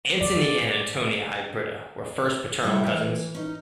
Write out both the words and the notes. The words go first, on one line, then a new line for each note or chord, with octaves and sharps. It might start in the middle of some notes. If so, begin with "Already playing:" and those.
Antony and Antonia Hybrida were first paternal cousins.
D5
C3 G3 E4
E3
C#4 D#4